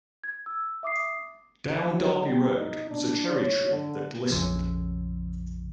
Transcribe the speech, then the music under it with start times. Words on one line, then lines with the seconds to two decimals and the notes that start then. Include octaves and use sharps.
Down Derby Road was a cherry-tree that glistened.
0.24 G#6
0.46 E6
0.83 E5 D6 D#6 C7
1.90 F#3
2.24 G3
2.56 D#4
2.90 D4
3.33 C#5
3.70 D3
4.31 A#1 F2 C#3 F3